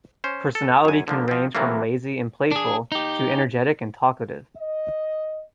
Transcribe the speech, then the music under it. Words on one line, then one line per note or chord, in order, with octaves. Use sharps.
Personality can range from lazy and playful to energetic and talkative.
C#4 C5
A4
F#2 G#5
D3 F3 A#3
F3 C4
A2 C3 E3 F#3 A3 A#3
D4 G#4
D#4 G4
D#5